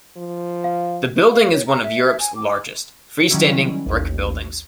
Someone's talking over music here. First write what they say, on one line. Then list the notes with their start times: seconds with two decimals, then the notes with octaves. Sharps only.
The building is one of Europe's largest, freestanding brick buildings.
0.17 F3
0.64 F5
1.33 F5
1.53 C#5
1.67 A#5
1.84 E5
2.05 E5
2.20 G#5
2.36 D6
2.49 D6
3.31 D#3 F#3 G3 C#4 E4
3.86 A1 D#2